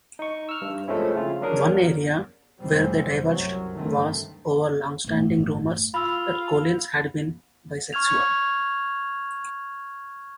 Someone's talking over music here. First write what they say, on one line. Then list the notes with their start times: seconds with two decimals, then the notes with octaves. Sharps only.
One area where they diverged was over longstanding rumours that Collins had been bisexual.
0.19 D#4 C#6
0.49 E6 F6
0.61 G2
0.88 F3 G#3 A3 C4 C#4 E4
1.15 C#3 F4
1.41 F#3 A#3 C#4 D4 G#4 A#4
2.61 F1 G3 G#3 C4
3.23 C2 F#2 F#3
3.73 D2 G2 D3 D#3 A3 C4
5.04 G1 A2
5.94 F4 B5 E6
7.93 C#6 F6 G#6 F7